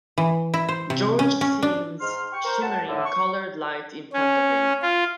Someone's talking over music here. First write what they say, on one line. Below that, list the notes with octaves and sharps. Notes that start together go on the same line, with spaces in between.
George sees shimmering colored light in front of him.
E3
E4
C5
C3
C#4
C#4
D4
G#2 C6 F6
G5 C#6
A#4 C5
F#2 F#5 A5
A2 D3
C#6
C#4
F4